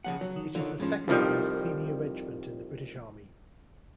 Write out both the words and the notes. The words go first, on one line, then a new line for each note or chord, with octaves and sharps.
It is the second-most senior regiment in the British Army.
C#3 F3 F#5
F#3
D#3
D3 D#3 F4 C#5
A2 F3 G#3 C#4
C2 F2 D#3 F3 G3